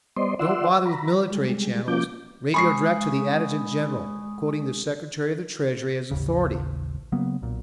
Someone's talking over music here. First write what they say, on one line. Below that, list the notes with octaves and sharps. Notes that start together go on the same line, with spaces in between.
Don't bother with military channels, radio direct to the Adjutant General, quoting the Secretary of the Treasury as authority.
G3 B3 C5 D5 D#5 C6
F4 D5 E5 F#5 C6 E6
A#5 B5
G3 G#3
F3 A#3 C#4 F4 D6 G6
G#3 B5 C#6 D#6 C7
A1 D#2 C#3
C#3 F#3 A#3 B3
B1 A#2